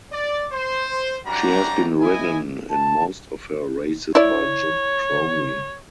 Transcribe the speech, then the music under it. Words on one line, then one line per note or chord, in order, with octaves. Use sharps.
She has been ridden in most of her races by Jim Crowley.
D5
C5
F#2 E3 G3 D4 F#4 A#5
E4 D#5 G#5
A5
E4 C#5 D5